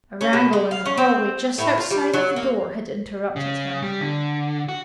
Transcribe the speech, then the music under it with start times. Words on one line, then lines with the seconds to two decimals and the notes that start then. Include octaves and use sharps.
A wrangle in the hallway just outside of the door had interrupted him.
0.21 C#4
0.33 B2
0.53 G#3
0.71 F5
0.86 C#4
0.98 C4
1.58 A2
1.78 F4
1.91 G3
2.14 F#3
2.36 A#3
3.36 C#3
3.82 G3
4.01 D3
4.68 F#4